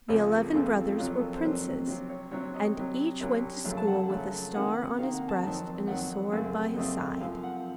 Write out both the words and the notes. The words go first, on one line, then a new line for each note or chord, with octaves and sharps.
The eleven brothers were princes, and each went to school with a star on his breast and a sword by his side.
C#2 C#3 F3 A3 C4 C#5
A#4
C#2 C#3 F3 A3 C4 A4
F2 C3 F#3 F4
A#4
A4
C5
F2 C3 F#3 A#4
C3 F#3 C4
C#5
C3 F#3 C4 C#5
D#5
C2 C3 F#3
C2 C3 F#3
F#2 C#3 F#3 A3 F5
A5
F#5
F#2 C#3 F#3 A3 A5
C3 D#3 A#3 F#5
C3 D#3 A#3 F5
F#5
A5
F2 D#3 F#3 C4
F2 D#3 F#3 C4 F#5
F#2 C#3 A3 C4
F#2 C#3 A3 C4 D#5
F5
F#2 F3 C4 F5
F#5